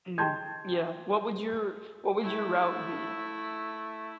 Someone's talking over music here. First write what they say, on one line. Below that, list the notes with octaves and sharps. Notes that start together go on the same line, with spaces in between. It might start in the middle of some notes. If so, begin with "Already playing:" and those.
Mm, yeah. What would your what would your route be?
G5 A5 C6 G6 G#6
A3 E4